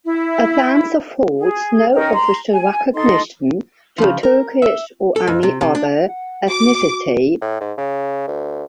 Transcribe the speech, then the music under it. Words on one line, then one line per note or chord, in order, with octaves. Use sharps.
Athens affords no official recognition to a Turkish or any other ethnicity.
E4
G#4
C#4 D#4 A#4 G5
A#5 C6
G#5
D#4 A4 D#5 C6
C#3 F3
A#4
E5
A4
F2
C3
C3
D4
F#5
F#4 D6
A2
G#2
C#3
D2